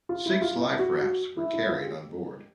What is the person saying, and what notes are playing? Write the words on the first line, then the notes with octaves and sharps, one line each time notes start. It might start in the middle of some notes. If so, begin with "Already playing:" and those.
Six life rafts were carried on board.
F4
E4
F4
E4
F#4
F#4
E4
E4
F4
G#4
G4